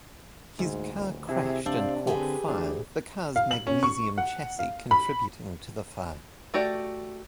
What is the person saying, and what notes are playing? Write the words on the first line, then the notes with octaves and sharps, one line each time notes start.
His car crashed and caught fire, the car's magnesium chassis contributing to the fire.
D2 G#2
D#1
C3 E4 G#4
C3 D4 C5 F5 E6
D3 C4 G4 G#4 B4
D2 E3 D4 D5
F5
F#7
C#4
C#6
F#5
F5
B5
A3 F#4 G4 D5